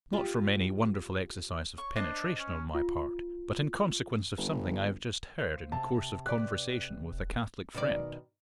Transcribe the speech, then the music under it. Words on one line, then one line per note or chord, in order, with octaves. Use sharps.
Not from any wonderful exercise of penetration on my part, but in consequence of something I have just heard in course of conversation with a Catholic friend.
F4 G4
C#5 C#6
D4 C5 D#5
C#4
F4
G1
C5 F5
C3 A5
B4 D5 F#6
E1
B2 D#3 D5